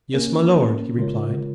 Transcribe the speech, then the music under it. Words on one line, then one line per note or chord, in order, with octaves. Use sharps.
"Yes, my lord," he replied.
A#3 C#4 A#4 C#5
C#3 G#3 F4 A#4 C#5